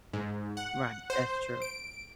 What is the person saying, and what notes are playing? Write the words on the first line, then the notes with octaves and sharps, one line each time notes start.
Right. That's true.
G#2
F#5
C5
D7